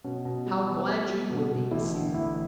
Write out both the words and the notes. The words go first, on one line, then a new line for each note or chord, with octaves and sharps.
"How glad you would be to see them!"
B2 C#4
B2
G3
B3
G3
G3
B2
B2
A1 E4
D3
A1 E4